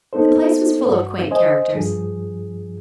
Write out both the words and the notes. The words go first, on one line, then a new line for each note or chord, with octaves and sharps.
The place was full of quaint characters.
A#3 B3 D#4 A4 C5
G2 F#4
C5 D#5 G#5
G2 F3 G#4